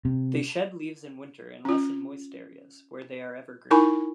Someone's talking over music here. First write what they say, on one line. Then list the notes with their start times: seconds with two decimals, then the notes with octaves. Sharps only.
They shed leaves in winter unless in moist areas, where they are evergreen.
0.05 C3
1.65 C#4 F4
3.71 D#4 E4 A#4 G#5 B5 C#6